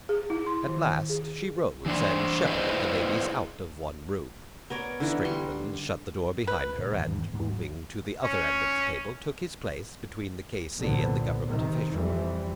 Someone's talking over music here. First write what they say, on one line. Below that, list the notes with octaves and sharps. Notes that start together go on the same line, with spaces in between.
At last she rose and shepherded the ladies out of one room. Strickland shut the door behind her, and, moving to the other end of the table, took his place between the K.C. and the Government official.
G#4
E4
C6
D#3
G#4
E3 D4 C5
E4 G#4 B4 C5 D5 D#5
B3 A#4 C#5 D5
D3 E3 D#4
D3 G3 C6 C#6
B4
A2 C3
G#1 E2 G2
G#2
F#3
C#4
C2 A#2 D3 F3 B3
C3 D#3
F2 E3 G3